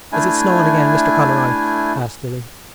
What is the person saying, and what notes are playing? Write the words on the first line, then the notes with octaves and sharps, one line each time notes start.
"Is it snowing again, Mr. Conroy?" asked Lily.
A3 D4 E4 G#5